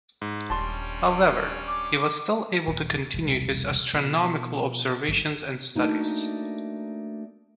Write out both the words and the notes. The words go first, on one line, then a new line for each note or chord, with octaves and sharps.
However he was still able to continue his astronomical observations and studies.
G#2
D#1 G3 C#4 D4 A5 C6
D6
D#1
E1 C2
B2 F3
G1 F#3
A3 A#3 D4 D#4 F#4